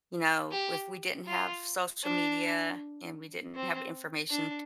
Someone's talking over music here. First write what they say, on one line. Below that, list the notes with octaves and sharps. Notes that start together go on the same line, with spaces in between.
you know, w if we didn't have social media and we didn't have information
G4
F4
D4
C4
D4